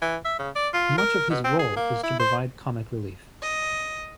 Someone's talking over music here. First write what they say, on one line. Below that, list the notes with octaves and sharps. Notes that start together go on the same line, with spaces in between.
Much of his role is to provide comic relief.
E3
E5
C#3
D5
F4
A#4
B2
C4
G#4
A#3
E4
C5
D#5